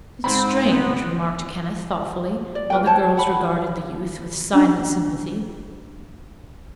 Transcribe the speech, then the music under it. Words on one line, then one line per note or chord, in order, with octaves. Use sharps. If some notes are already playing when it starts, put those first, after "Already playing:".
"It's strange," remarked Kenneth, thoughtfully, while the girls regarded the youth with silent sympathy.
G#2 C4 B5
B3
D5
F4 B4 G5
C5 C#5 G5 A5
F#5 B5
C#4 D4